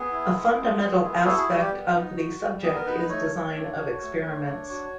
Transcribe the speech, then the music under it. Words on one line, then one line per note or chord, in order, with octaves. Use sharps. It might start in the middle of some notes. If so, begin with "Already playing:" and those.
A fundamental aspect of the subject is design of experiments.
Already playing: B3 G#4
E4
G#3
G#3
B3
E4
F#4 A4
G#4
G3 F#4
G4
B3
D#4
F#4
G3
B3 G#4
A#4
D#4 B4
B4
A3 C#5
A3
D4
F#4
A3
A3
D4
F#4